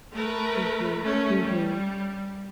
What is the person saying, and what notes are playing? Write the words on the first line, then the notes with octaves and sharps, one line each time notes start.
Mhm, mhm.
A3 A#4 B4
A3 C#4
G3